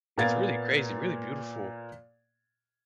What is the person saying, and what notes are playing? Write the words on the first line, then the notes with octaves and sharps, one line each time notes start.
It's really crazy, really beautiful,
A#2 A#3 B3 F5 G#6 A6